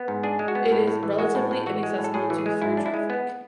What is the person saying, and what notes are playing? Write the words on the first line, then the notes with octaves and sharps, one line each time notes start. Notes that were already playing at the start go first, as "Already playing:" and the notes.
It is relatively inaccessible to through traffic.
Already playing: B3
G#2
D4 G#4
G#3
F#4
B3
A2
A2
E3
G#3 F#4
A2
A2
E3 F#4
G#3
A2
A4
A2 G#4
E3
G#4
G#3
G#2 E4
D4
E4
G#3
B3